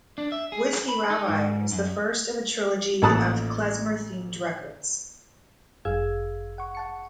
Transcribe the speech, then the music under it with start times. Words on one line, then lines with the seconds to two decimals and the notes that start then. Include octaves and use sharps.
"Whiskey Rabbi" is the first of a trilogy of klezmer-themed records.
0.18 D4
0.32 E5
0.52 G#4
0.88 B5
1.10 D#4
1.29 G#2
1.72 F#2
3.02 A1 A#2 A4 A5 D#6 F#6
5.85 G1 F#2 G#4 F5 E6 G#6
6.58 F#5 C#6
6.75 F#5 A5 C#7